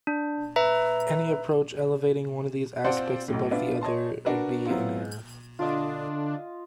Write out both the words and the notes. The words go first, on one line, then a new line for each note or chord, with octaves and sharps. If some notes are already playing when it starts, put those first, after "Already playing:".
Any approach elevating one of these aspects above the other would be in error.
D4
B4 E5 A#5
C4 F4 C5 D5 F#5 A5
B1 A2
B3 D4 F4 B4 E5
C#5 D#5 A5 C6
D4 F#4 A#4 B4
F#3 B3 C4 E4 F4
D3 D4 F4 D#5